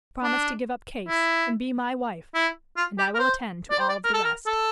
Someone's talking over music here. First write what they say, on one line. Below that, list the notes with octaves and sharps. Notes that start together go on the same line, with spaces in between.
Promise to give up Case, and be my wife, and I will attend to all of the rest.
D4
E4
E4
F4
G4
A#4
C5
D5
C5
D5
A#4
A4
A#4
A4